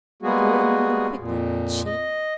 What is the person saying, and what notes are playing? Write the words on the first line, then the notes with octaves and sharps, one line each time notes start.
"Throw it among them quickly!" cried she.
G3 G#3 A#3 B3 F#4 G#4
F2 A#2
D#5